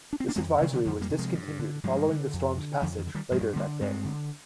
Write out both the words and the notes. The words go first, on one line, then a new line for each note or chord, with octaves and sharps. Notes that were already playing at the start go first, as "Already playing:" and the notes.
This advisory was discontinued following the storms' passage later that day.
D4
C4
A#3 D4
F2 G#3 C4
C3 D#3 G3
D3 F3
F2 D3 F3
G3 A#3
C3
F3 G#3
G2
D3
G2 F3 G#3
D3
F2
D3
F2 D3 F3
D#3
D3
D#3 G3
G2 F3 G#3
D3 G3 A#3
G2 G#3 C4
D3